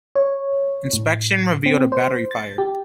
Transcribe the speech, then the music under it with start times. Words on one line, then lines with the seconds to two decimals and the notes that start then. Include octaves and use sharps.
Inspection revealed a battery fire.
0.15 C#5
0.93 A2
1.66 C4
1.92 C5
2.31 A6
2.58 G4